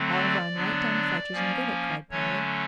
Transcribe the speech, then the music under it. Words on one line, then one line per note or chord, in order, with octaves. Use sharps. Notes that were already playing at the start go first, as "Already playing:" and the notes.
"I'll run right down to Fletcher's and get it," cried Polly.
Already playing: D3 F#3 A3 C4
D5
D3 F#3 B3 D4
F3 A#3 C#4
D3 F#3 A3 C#4 C#5